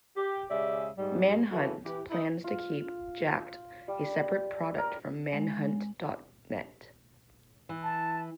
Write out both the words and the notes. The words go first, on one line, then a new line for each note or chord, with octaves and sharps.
Manhunt plans to keep Jack'd a separate product from Manhunt dot net.
G4
C#3 G#3 G4 D5 E5
G#2 G3
C#3 E3 E4 F#4 A4
E3 G4
D#4 E4
F4
G3
A#4
G#3
E3
A5